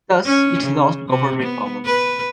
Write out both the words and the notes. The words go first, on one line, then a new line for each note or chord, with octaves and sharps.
Thus it lost government power.
C#4
C#3
C3
B3
B4